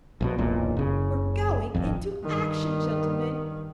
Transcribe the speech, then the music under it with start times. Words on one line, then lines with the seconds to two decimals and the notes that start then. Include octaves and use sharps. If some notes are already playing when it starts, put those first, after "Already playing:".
"We're going into action, gentlemen!"
0.21 A#1 G#2 B2
0.38 E1 B1 A#2
0.77 F#1 C#3
1.75 D1 G#1 F2
2.23 G2 D#3